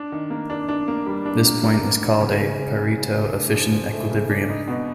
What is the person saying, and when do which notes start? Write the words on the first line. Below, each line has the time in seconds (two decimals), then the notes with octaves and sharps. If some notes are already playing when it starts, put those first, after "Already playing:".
This point is called a Pareto efficient equilibrium.
Already playing: D4
0.12 D#3
0.30 A#3
0.50 D4
0.68 D4
0.88 A#3
1.06 G3
1.25 D4
1.45 A#3
1.63 A#3
1.83 A#3
2.01 D#3
2.20 C#3
2.40 C#3
2.60 C#3
2.77 C#3
2.98 C#3
3.15 A3
3.35 D4
3.54 F3
3.72 F3
3.93 A3
4.11 C#3
4.30 D4
4.50 D#4
4.68 B2